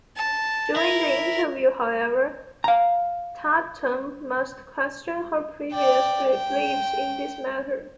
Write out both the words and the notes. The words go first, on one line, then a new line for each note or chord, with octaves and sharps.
During the interview, however, Tatum must question her previous beliefs in this matter.
A5
E4 A#4
F5 A#5
D5 G5
G5